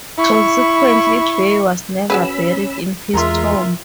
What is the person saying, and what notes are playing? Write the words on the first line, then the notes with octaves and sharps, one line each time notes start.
Consequently, Bay was never buried in his tomb.
E4 C#6
C#4 F#4 G#4 B4 B5 E6
E2 G#3 F4 A#4 E5 A#5 C6